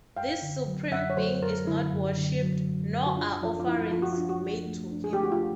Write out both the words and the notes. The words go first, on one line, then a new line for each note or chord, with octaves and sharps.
This supreme being is not worshiped, nor are offerings made to him.
F#2 F5 G5
D3
F#3
F#2 E5 F#5
C#5
F#3 C5
F#2 A#4
D3 E4
F#2
D3
F#3
F#2
F#2
F#4
D4 F4
F3 F4
F4
F3 E4
F3 F4
F#4
F4
D4
F#4
F3
A3
D4
G#4
A3 G4
F#4
F4